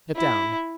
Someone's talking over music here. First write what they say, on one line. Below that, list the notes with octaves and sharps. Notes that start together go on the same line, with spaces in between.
"Get down."
E4